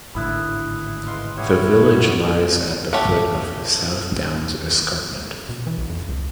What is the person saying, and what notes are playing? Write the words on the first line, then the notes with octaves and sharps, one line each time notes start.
The village lies at the foot of the South Downs escarpment.
G#1 A2 D3 E4 B5 D#6 E6 F#6
G#3 B4 F5 C6
G3 B3 E4 C#5 G#5
A3 G4 C#5 F5 F#5
B2
E3
B1
F2
C#2